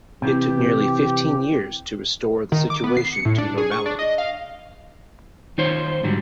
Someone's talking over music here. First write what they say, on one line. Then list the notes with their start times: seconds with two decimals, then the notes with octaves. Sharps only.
It took nearly fifteen years to restore the situation to normality.
0.22 C3 E3 G4
2.52 D#3
2.70 D6
2.84 B3
2.97 C7
3.12 C#7
3.25 A2
3.38 D4
3.58 G#4
3.72 C#6
3.86 D4
3.99 D#5
4.18 F5
5.58 D#3 D#4 F4 C5 C#5
6.04 G#2 D3 F#3 G3